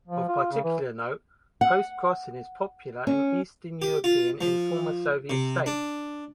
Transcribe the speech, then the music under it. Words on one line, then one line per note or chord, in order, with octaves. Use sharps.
Of particular note, postcrossing is popular in eastern European and former-Soviet states.
F3
F4
C#3
E3
F#5
C#4
G4
F4
F3
C3
D4